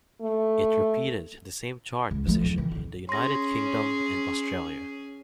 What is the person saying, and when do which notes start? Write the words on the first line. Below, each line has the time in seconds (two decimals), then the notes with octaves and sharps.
It repeated the same chart position in the United Kingdom and Australia.
0.22 A3
2.11 C#2
2.27 F3 A3
2.41 B1 E2
2.58 D#3 E3
2.71 B1 D#3
3.09 C#4 G#4 C6 A#6